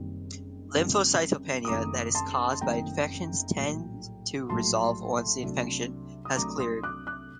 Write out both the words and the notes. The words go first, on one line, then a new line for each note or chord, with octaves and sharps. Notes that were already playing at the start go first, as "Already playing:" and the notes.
Lymphocytopenia that is caused by infections tends to resolve once the infection has cleared.
Already playing: F#1 F#2 D#3 G3 C4
F#1 F#2 D#3 G3 C4
D#6
F#1 F#2 D#3 A3 C4 A#5 D6
A5 C6
F#1 F#2 D#3 A3 C4 G5 A#5
A#1 A2 F#3 A3
A#1 A2 F#3 A3 A5 C6
C2 C3 F#3 A3 D4
D#6
C2 C3 F#3 A3 D4 A#5 D6
C6 D#6
D6 F#6
D6 F#6